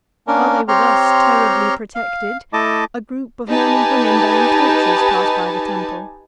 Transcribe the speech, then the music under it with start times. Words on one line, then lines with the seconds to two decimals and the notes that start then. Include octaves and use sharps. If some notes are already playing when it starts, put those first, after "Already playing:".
While they were thus terribly protected, a group of men and women, bearing torches, passed by the temple.
0.28 A#3 C#4 D4 A#4
0.68 C4 G4 C#5 A#5 C6 F6
1.95 F5
2.53 A3 E4 D#5 A5 D6
3.49 D#4 G4 B4 G#5 A5